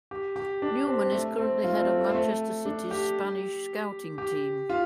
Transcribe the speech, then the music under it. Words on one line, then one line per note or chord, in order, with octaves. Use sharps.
Newman is currently head of Manchester City's Spanish scouting team.
G4
G4
D4
C4
C4
A3
C4
F4
A3
C4
A3
C4
A3
D4
G4
G4
F4